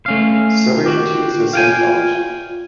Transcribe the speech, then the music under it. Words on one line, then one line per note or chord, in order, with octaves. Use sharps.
Surveying teams were sent out.
A3 C#4 F5
F4
F#4 G4
F5 G5 G#5